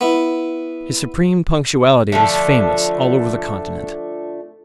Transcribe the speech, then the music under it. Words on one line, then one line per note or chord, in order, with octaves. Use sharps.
His supreme punctuality was famous all over the continent.
B3 E4
D3 F3 A3